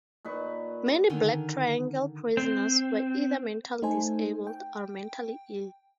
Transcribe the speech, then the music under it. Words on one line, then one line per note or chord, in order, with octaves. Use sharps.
Many black triangle prisoners were either mentally disabled or mentally ill.
A#2 D#4 B4 C#6
D3 D#3 G#5 C6
C4
A3 D#4 A4 C5 G#5
G5